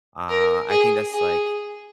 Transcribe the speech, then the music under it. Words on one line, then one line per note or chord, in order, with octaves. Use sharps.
Uh, I think that's, like,
A#4
G#4
G#4